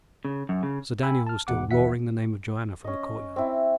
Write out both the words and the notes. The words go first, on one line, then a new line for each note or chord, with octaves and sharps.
Sir Daniel was still roaring the name of Joanna from the courtyard.
C#3
F#2
C#3
G5 G#5 B5 E6
A5 F6
A#1 E2 B2 F#5 D6
G1 D#2 E3 E5 F#5 B6
C#4 D#5
C4 E4